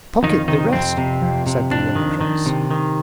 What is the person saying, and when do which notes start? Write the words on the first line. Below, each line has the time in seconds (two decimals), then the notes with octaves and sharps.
"Pocket the rest," said the young prince.
0.23 F2 D#3 D#4
0.48 C3 D#3 D#4
0.72 F2 C4
0.98 C3
1.22 F2
1.47 C3
1.71 F2 D4
1.95 D#3
2.21 D#3
2.46 C3
2.71 D#3